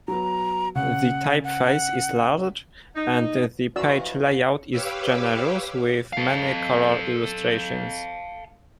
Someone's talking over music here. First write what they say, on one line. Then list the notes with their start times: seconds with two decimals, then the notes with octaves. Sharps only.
The typeface is large, and the page layout is generous with many color illustrations.
0.08 F#3 B3 A#5
0.75 C#3 C#4 F#5
1.44 F#5
2.96 D#4
3.76 F2 E3 F#4 D5 E6
4.71 G4 B4 C#5 F5 D6 E6
6.13 A4 F5